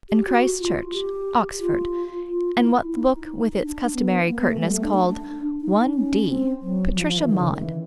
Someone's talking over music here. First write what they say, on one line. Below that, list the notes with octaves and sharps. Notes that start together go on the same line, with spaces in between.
Eton and Christ Church, Oxford, and what the book with its customary curtness called "one d."--Patricia Maud.
G4
F#4
F4
G4
F4
F4
E4
D#4
D4
B3
A#3
B3
A3
G3
A3
D4
D4
D#4
C#4
C4
F#3
F3
F3
E3
D#3
C#3
D#3
E3